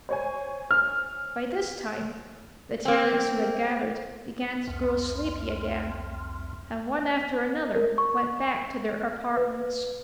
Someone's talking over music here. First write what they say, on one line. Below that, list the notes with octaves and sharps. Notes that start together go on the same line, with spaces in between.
By this time the tenants who had gathered began to grow sleepy again, and one after another went back to their apartments.
C5 C#5 G#5
F6
A#3 C4
C2 F2
A#4
C#6
B4